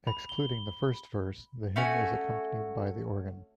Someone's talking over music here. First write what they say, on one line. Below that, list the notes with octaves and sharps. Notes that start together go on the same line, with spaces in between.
Excluding the first verse, the hymn is accompanied by the organ.
B5
G7
A3 C#4 F#4 G#5